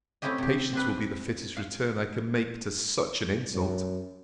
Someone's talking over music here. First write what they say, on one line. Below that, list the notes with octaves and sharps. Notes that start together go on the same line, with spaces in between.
Patience will be the fittest return I can make to such an insult.
A3 C4 C#4 E4 G4 D#5
C3 G4
C4 D4 B4
F5
F#2